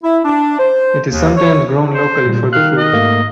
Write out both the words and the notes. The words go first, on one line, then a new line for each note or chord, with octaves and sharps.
It is sometimes grown locally for the fruit.
E4
D4
C5
D#2
C#5
C5
A#2 G3
D#3 F5 F#6
D#5
G#2 A3 A#3